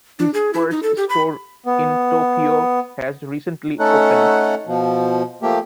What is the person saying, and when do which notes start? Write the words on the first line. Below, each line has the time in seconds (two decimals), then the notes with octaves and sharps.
His first store in Tokyo has recently opened.
0.19 D4
0.34 G#4
0.54 E4
0.71 D#4
0.83 A4
0.97 G4
1.09 B5
1.66 B3
3.79 A3 C#4 D#4 A4 F#5
4.67 B2 F3
5.42 F3 A3 A#3 G4